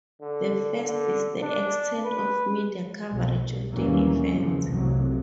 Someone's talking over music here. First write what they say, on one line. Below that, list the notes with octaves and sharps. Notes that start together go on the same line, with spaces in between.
The first is the extent of media coverage of the event.
D3
D3
D4
B4
B1
D#2 E3 F#3 G3 A#3 C#4
E2 C#3 E3 F3
C2 F2 A2 C3 F#3